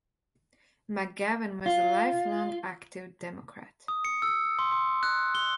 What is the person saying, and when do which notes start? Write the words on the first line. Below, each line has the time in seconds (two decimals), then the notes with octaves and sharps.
McGavin was a lifelong active Democrat.
1.66 F4
3.88 D#6
4.05 C#7
4.22 E6
4.59 C6
4.72 C6
5.03 F#6
5.35 G7